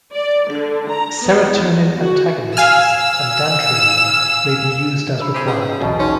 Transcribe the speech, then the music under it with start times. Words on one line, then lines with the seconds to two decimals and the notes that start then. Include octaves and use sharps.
Serotonin antagonists and dantrolene may be used as required.
0.13 D5
0.51 D3
0.89 A#5
1.24 B3
1.53 E2
1.99 F#4
2.57 F5 G#5 E6 F6
5.20 A#4 B5
5.34 C3 G4 G#4
5.48 C#3 B4
5.81 B1 E2 B2
5.99 C#4 D#4 C#5 C6